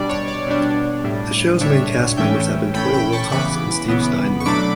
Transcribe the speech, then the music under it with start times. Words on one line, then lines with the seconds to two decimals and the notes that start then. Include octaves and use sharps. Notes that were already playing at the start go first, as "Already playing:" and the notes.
The shows main cast members have been Toyah Willcox and Steve Steinman.
Already playing: B2 G3 D4 D5
0.09 C#5
0.28 D5
0.47 B2 G3 D4
1.04 A2 G3 D4
1.61 A2 G3 D4 C#5 E5
2.17 A2 E3 A3 C#4 E5 G5
2.74 A2 E3 A3 C#4 G5 B5
2.94 G5 B5
3.13 A5 C#6
3.31 C#3 E3 B3 B5 D6
3.88 C#3 E3 B3
4.40 C#6
4.46 B2 F#3 A3 D4 B5 D6